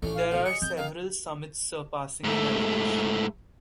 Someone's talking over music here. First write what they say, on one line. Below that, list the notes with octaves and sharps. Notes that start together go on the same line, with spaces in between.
There are several summits surpassing in elevation.
A1 A3 C#4 D4 F4
F5
B2 D3
G#4 D#5 C#7
F3 C4 G6
D#3 D#4 F5
G#2 A3